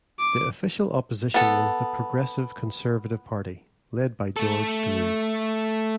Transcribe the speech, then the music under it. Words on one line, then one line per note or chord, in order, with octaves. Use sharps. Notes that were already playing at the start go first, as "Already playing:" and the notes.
The Official Opposition was the Progressive Conservative Party, led by George Drew.
D6
B3 A4
A3 A4